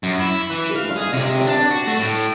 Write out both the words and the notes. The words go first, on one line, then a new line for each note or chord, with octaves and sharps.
It must not suffer.
F#2
E4
E3
F5
G#4
C3
D4
F#4
A3
A2